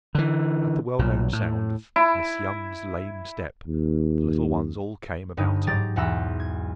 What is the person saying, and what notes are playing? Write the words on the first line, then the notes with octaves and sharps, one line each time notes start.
At the well-known sound of Miss Young's lame step, the little ones all came about her.
D3 E3
B1 A#2
A2
E4
D#2
G1 G2 D#4
G#2 F#3 G4 A#5 A6
B1 E2 F#5 A#5 E6
G#6